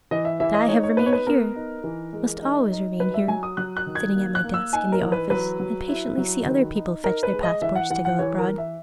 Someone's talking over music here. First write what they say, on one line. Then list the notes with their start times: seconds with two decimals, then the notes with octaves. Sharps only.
But I have remained here--must always remain here, sitting at my desk in the office, and patiently see other people fetch their passports to go abroad.
0.11 E3 D#5
0.25 E5
0.40 E3 E5
0.54 D#5
0.68 D#4 C#5
0.83 C#5
0.97 B3 B4
1.06 C#5
1.13 B4
1.27 B3 A#4
1.56 D#4
1.84 E3
2.13 G#3
2.42 D#4
2.71 D#4
3.00 F#3 B4
3.14 E5
3.28 F#3 G#5
3.43 D#6
3.57 F#3 F#6
3.77 F#6
3.86 D#3
3.95 G#6
4.15 A#3
4.35 F#6
4.44 A#3
4.54 E6
4.73 D#4 G#5
4.92 A#4
5.02 E3
5.12 B4
5.30 F#3 B4
5.60 F#3
5.88 E4
6.17 F#3
6.46 D#3
6.75 D#4
7.04 D#4 A#4
7.23 B4
7.33 G#3
7.43 D#5
7.62 E3 E5
7.75 F#5
7.90 E3 F#5
8.05 F#5
8.19 E3 C#5
8.38 A#4
8.48 E3
8.58 E5